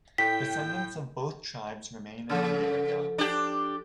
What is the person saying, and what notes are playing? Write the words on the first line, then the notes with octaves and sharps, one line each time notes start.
Descendants of both tribes remain in the area.
A2 G5 B6
C#3 F3 A4 F6
D4 G4